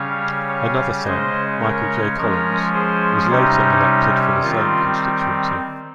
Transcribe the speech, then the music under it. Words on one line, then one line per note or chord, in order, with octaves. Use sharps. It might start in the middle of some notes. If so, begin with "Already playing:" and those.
Another son, Michael J. Collins was later elected for the same constituency.
Already playing: C#3 G3 C#4 C#5 F5
C#5 F5
C#3 G#3 C#4 C5 D#5
A#4 C#5
F3 G#3 C#4 A#4 C#5
G#4 C5
C3 G3 C#4 D#4
D#3 G3 C4 F4